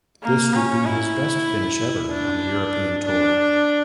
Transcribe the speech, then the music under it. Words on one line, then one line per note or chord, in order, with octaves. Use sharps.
This would be his best finish ever on the European Tour.
A#3
C#4
E4
D4
D4